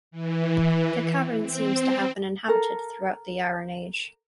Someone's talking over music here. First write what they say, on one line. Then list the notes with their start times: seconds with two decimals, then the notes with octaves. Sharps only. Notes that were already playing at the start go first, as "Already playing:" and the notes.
The cavern seems to have been inhabited throughout the Iron Age.
0.11 E3
1.40 C4
2.48 A4 A#4